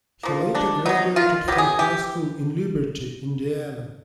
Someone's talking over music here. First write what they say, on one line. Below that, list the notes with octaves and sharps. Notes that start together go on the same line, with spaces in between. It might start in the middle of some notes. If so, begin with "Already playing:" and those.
He later graduated from high school in Liberty, Indiana.
F3 A#3
D#3 D4
F#3 B3 D#4
D#3 F4
F#3 B3 G4
G#4
E3 G4